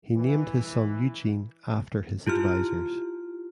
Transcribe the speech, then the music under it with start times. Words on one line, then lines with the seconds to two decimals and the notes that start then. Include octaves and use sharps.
He named his son Eugene after his advisors.
0.15 E3
2.27 E4 F4 G4 F6